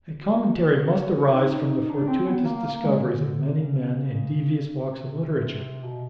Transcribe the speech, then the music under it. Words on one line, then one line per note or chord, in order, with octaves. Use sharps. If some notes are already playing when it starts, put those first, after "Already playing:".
A commentary must arise from the fortuitous discoveries of many men in devious walks of literature.
F#4
D#4
D4
C4
B3
A#3
A#3
G#3
D3
D3
C3
C#3
C#3
C3
B2
C3
B2